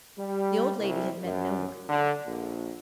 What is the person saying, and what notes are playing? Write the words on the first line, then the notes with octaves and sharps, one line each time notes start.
The old lady had met no one.
G3
C2
F#2
D3
A#1